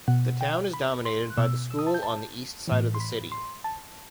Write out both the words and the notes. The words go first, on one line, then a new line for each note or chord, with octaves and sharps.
The town is dominated by the school on the east side of the city.
B2 F#5
G5
B5
C6
F#6
B2 E6
E6
D#6
A5
G6
A5
A2 E3
C6
B5
C6
A5